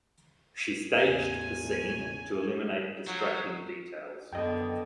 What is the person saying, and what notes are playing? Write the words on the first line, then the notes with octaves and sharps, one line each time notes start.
She staged the scene to eliminate distracting details.
A1 E2 G#5
F3 F#3
F#2 D3 B3 D#5 G5